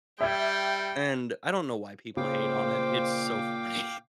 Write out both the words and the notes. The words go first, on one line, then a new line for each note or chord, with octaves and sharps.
and I don't know why people hate on it, it's so funny.
G3 E5 G5 G#6
A#2 C#3 C5 F5 G5 D6